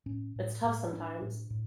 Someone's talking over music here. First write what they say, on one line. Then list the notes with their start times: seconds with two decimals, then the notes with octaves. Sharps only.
It's tough sometimes.
0.06 A2 C#4
0.36 A2
0.64 A2
0.92 A2 D4
1.21 A2
1.50 A2